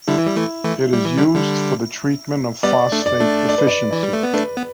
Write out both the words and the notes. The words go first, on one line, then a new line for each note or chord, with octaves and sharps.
It is used for the treatment of phosphate deficiency.
D3 G3 E4
E3
G3
E3 A3
E3 A3
G3
E3
D3 G3
D3 G3
G3 B3 D5
A3 D4
D5
A3 D4
D5
B4
D5
E3 D5
G3
A3
B3
A3 D4 B4
B3